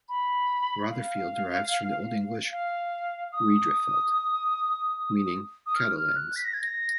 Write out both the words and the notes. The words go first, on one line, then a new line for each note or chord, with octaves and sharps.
Rotherfield derives from the Old English "redrefeld" meaning "cattle lands".
B5
F5
F5
D#6
D#6
F6
F6
F#6
B6
A#6
G#6
A#6